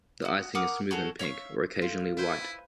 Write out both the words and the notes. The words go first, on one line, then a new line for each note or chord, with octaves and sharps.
The icing is smooth and pink, or occasionally white.
F#4 D#6
A#4 F#5 D6 D#6
F#4 G#4 A4 C#5
C#5 E5 F5 C#6
F4 A4
E4 B4 C5 G#5